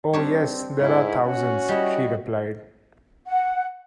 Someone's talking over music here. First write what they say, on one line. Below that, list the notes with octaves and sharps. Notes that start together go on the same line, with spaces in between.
"Oh, yes; there are thousands," she replied.
G3 C4 D4 C#5
G#2 E4
C#4 F#4 F#5
G3 E4 D#5
F#5